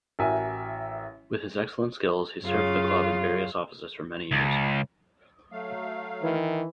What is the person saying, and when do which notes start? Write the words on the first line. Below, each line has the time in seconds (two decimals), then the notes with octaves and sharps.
With his excellent skills he served the club in various offices for many years.
0.19 A1 E4 F#4 A#4 E5 G#5
2.44 F#2 C#3 F4 F5
4.32 C#2
5.52 F#3 A3 F5
6.23 D#3 E3